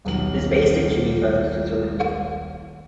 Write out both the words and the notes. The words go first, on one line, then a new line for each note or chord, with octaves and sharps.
It is based in Geneva, Switzerland.
D#1 B1 F#7